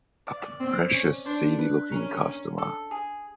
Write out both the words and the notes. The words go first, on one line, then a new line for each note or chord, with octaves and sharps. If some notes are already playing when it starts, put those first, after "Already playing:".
A precious seedy-looking customer.
D5
C4
C#4
D4 C5
B4
C#4 A#4
A4
G#4